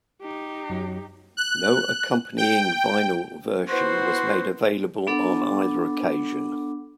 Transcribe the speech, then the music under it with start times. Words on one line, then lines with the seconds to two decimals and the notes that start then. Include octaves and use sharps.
No accompanying vinyl version was made available on either occasion.
0.21 D#4 G4
0.70 F#2 F#3
1.37 F#6
2.38 G5
3.69 B3 E4 F#4 C5
5.07 B3 D4 A4 F#5 D6